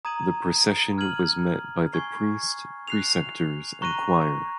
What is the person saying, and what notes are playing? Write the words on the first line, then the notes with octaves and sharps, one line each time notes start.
The procession was met by the priest, precentors, and choir.
A#5 D#6 G#6 D#7 F#7
F6 G#6 D#7 F#7
G#5 C#6 G#6 C7
F#6 C7 F7
A#5 C#6 F#6 A#6 D#7